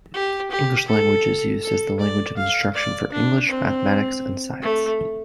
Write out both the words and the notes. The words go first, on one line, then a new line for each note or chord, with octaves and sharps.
English language is used as the language of instruction for English, Mathematics, and Science.
G4
G4
A4
A4
D5
F5
D5
D4
C4
A3